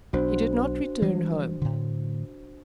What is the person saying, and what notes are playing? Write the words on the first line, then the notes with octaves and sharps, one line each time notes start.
He did not return home.
B1 D4 F#4 C5
E3 G3 G#3
A2 D3